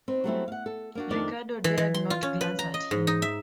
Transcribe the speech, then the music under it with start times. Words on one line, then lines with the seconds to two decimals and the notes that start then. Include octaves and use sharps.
Ricardo dared not glance at him.
0.08 C4 D#4 B4
0.24 F#3 G3 A3 B3 C4 E4
0.48 F5 F#5
0.66 A4
0.95 A#3 D4 F#4
1.10 F2 D#3 A3 D4 A#4 D5
1.64 E3
1.78 E3
1.94 C6
2.10 F4
2.23 C#4
2.41 B4
2.59 A#5
2.74 D#5
2.91 G#2
3.07 D#4
3.22 E5